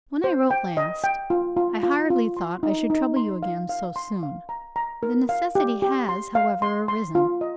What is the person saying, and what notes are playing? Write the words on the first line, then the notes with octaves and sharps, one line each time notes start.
WHEN I wrote last, I hardly thought I should trouble you again so soon. The necessity has, however, arisen.
C5
G5
D#5
G5
F4
F4
F4
F4
C6
D#4
D#4
C6
F5
F5
C6
F5
A#5
A#5
A#4
F5
G4
G4
C6
F5
C6
C6
F4
D#5